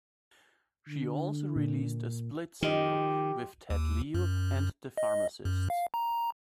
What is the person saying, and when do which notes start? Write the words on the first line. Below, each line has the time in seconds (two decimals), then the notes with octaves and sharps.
She also released a split single with Ted Leo and The Pharmacists.
0.88 D3
1.56 A#2
2.62 D#3 F3 G4 D#5
3.70 D#2
4.14 F#2
4.98 D#5
5.45 F#2
5.70 F5
5.94 A#5